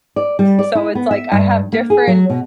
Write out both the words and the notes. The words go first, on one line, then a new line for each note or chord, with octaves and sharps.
So, it's like, I have different
D5
G3
D5
E4
B3
E5
G2
A#3
G#4
F#3
B2